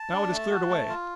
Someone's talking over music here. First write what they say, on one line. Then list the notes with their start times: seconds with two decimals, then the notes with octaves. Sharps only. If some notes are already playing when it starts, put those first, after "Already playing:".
Now it has cleared away!
Already playing: A5
0.13 D4
0.31 A3
0.51 F#4
0.70 A3
0.89 F4